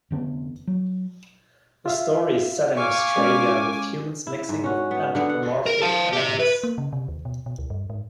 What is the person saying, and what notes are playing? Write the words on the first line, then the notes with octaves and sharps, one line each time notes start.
The story is set in Australia with humans mixing with anthropomorphic animals.
F1 D3 B3
F#3
F4 E5 F5
F5 G#5 C#6 D6
G#3 C#4
E4
G#2
C#4 F#4
B3
D3 B3
F#5
A#4
F5 A5
G4 E5
B4
A#3
C#3
C3
D#2
B2
B2
D2
G2
G#2